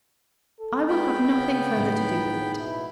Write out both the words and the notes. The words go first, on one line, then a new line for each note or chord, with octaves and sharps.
I will have nothing further to do with it.
A4
G#3 B3 G5 B5
C#3
A2 D#3
G#4
B2 E4